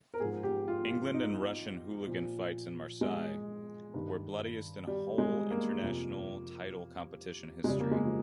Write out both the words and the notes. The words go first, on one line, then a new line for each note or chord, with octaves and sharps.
England and Russian hooligan fights in Marseille were bloodiest in whole international title competition history.
A#4
G#2 F3 G#4
G4
F4
F4
D#4
A#2 F3
G#3
G2 D#3
G3
G#3
A#3
F2 C3 F3
G#3
F2 C#3 F3 G3
A#3
G#3
F3